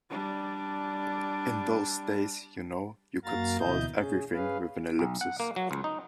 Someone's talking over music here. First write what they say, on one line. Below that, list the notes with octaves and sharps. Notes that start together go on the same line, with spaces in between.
In those days, you know, you could solve everything with an ellipsis.
G3 D4
F#2 A#3 F#4 F5 A#5 A6
D2 B2 E3 E4 D#5 G6
C#4 G#4
C#4 G#4 B4 F5
B1
F#5
A#3
F#3
C#2
D#4